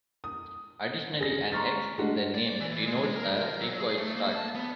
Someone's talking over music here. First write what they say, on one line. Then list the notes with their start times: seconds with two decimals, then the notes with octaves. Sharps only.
Additionally, an X in the name denotes a recoil start.
0.24 D#6
1.21 G#4 A#6
1.52 A#5 C6 C#6 F6 A6
1.98 G#3 A3 D4 F#4
2.35 D5
2.61 E3
2.86 G#3
3.16 A#4
3.34 A#4
3.61 F#3
3.80 G#4
3.98 A3
4.16 A#3
4.35 A5
4.56 B3